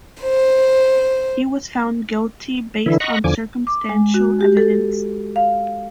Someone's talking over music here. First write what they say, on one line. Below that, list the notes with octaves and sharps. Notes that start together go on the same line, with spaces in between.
He was found guilty based on circumstantial evidence.
C5
D3 E3 E4
D#5 F#5 A#5 B5 C#6
E2 D3 F3 G#5 D6
D6
G#3
F#4
G4
A4
F5